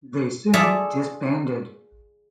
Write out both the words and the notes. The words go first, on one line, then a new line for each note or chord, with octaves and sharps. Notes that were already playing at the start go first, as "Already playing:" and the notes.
They soon disbanded.
F4 G#4 A4 D5 E5